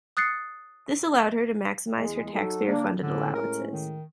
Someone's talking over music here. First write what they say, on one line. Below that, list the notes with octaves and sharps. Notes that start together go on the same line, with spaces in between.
This allowed her to maximise her taxpayer-funded allowances.
D#6 F#6 A6 C7 C#7
E2 G#3
F#3 D#4 F#4 A4
D3 A#3 D4
A2 D3 G#3 C#4
A#4
D#3